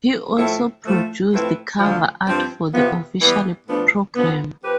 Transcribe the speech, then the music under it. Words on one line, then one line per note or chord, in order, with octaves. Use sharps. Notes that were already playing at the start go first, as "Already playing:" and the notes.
He also produced cover Art for the official programme.
A2 F3 A3 E4
A2 F3 A3
A2 F3 C4 E4 B4
D2 D3 F3
G2 F3 C4
E2 C3 F3 B3
E3 G3 B3
A2 F3 B3 D4
D3 F3 B3
F3 C4 G4 B4